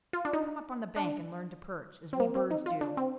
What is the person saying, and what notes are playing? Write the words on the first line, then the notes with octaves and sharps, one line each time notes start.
Come up on the bank and learn to perch, as we birds do.
F4
D4
D#4
D4
C4
A#3
C4
D#4
F4
D4
C4